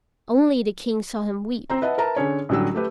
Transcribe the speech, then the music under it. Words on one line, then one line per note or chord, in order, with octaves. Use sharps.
Only the King saw him weep.
C4 C5 A#5
B4 D#5 E5 F#5 A5
A#4 B4 E5 A5 A#5
D3 C#4 G#4 C#5
A1 D3 F#3 G3 E6
A3 G4 B4